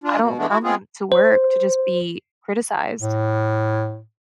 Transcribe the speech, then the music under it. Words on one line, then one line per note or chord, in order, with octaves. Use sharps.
I don't come to work to just be criticized.
D4 F4
B2
E3 G#3 A3 B3 D4
E4 F#4
G#3 B3 C4 F4 G#4
C5
A2